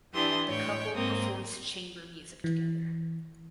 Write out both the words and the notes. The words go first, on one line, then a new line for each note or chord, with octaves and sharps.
The couple performs chamber music together.
E3 D4 E4 G4 C6 D#6
A2 C#5 G5
G#2 A#3 C4 D#6
E3